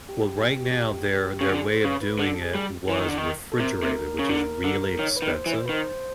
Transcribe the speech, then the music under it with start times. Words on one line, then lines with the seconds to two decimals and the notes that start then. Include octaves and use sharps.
well, right now, their their way of doing it was refrigerated, which is really expensive,
0.09 G4
1.41 C#3
1.49 D3 G#4
1.67 C5
1.84 C#3 B4
2.01 B4
2.19 D3
2.34 A4
2.42 G#4
2.55 G3
2.89 E3
2.99 D#3
3.08 D3
3.18 D#3
3.52 A4
3.60 C3 A#4
3.83 C3
4.19 C#3
4.29 D3
4.64 D3
4.99 D#3 C#5
5.16 B4
5.22 D#3
5.34 C5
5.46 E3
5.52 C#5
5.58 C5
5.66 B4
5.69 D#3 C5